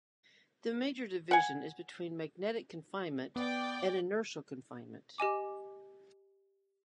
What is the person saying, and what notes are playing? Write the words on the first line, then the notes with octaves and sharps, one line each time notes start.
The major division is between magnetic confinement and inertial confinement.
F#5 G#5
B3 D5 G5 D6
G4 D#5 G#5 D6